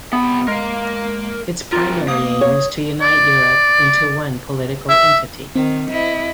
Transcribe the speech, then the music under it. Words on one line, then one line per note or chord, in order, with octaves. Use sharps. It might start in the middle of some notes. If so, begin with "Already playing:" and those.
Its primary aim is to unite Europe into one political entity.
C3 B3 B5
G#3 A#4 F5
C4 F4 A#4
A#3 D#6
C#5
D5
E5
D#3 C4
E4 D#5